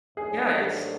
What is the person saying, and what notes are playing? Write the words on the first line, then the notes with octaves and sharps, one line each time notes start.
Yeah, it's
G#2 D#3 F#3 A3 D4 G#4